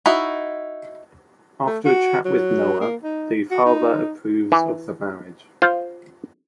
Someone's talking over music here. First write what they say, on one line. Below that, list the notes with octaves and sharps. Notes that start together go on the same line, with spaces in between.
After a chat with Noah, the father approves of the marriage.
D#4 E4 F#4
A3
F#4
F#3
A#3
D#4
F#4
D#4
E3
F4 C5